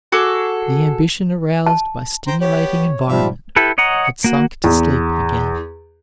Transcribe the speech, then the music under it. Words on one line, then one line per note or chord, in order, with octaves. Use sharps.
The ambition aroused by stimulating environment had sunk to sleep again.
F#4 G#4 A4 D6
A5
C5 G5 A#5
B3 G4 C#5
G#2 F3 G3 E5 F5
E4 G4 A4 B4
C#5 D#5 F#5 A#5
A#3 F#4
E2